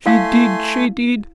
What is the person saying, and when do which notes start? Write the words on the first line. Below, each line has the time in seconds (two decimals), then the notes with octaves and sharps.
She did--she did!
0.06 A3 E4 F5 G#5 C6